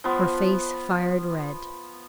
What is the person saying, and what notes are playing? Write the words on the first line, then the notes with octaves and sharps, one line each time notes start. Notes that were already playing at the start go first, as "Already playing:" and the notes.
Her face fired red.
F3 B3